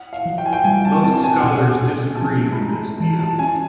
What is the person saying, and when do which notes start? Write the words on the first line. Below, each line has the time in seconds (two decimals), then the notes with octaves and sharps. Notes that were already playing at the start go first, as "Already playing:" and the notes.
Most scholars disagree with this view.
Already playing: F#5
0.13 F5
0.25 F3
0.38 G5
0.46 G#5
0.53 G5
0.64 G3 G#5
0.85 A5
1.04 C4 A5
1.18 A5
1.24 G#5
1.43 B2
1.82 B2
2.15 A5
2.21 F3 G#5
2.52 B5
2.60 G#3 A#5
3.00 E3 A5
3.20 A5
3.39 C#4 G#5